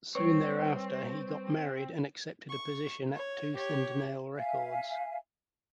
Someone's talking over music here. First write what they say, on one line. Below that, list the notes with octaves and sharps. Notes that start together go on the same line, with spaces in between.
Soon thereafter he got married and accepted a position at Tooth and Nail Records.
G3 C4 B4 C#5
C#6
C#5
G4 C#5
E5 F5 G#5